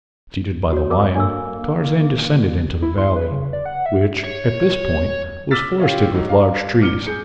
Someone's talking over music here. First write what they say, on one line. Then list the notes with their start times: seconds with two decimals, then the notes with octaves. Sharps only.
Preceded by the lion Tarzan descended into the valley, which, at this point, was forested with large trees.
0.72 F#4 C#5
0.90 C4 A#4 D6
1.15 A#3 D4 A4 E6
2.82 E4
2.98 C6
3.16 B4
3.31 C#3
3.53 D5
3.66 F#5
3.86 E5
4.24 C#5
5.51 D6 E6 F6 A6 B6
5.79 C#4 F4 G4
6.14 G#2 F#3
6.29 F5 A#5
6.81 D6 F6 C#7 G7
7.06 G#4 G6 C#7